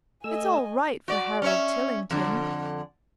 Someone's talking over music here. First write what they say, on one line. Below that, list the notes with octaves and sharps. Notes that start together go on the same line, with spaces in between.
It's all right for Harold Tillington.
A3 D#5 G#5 E6
F#4 D5
C#4 C#5 E5
F2 D3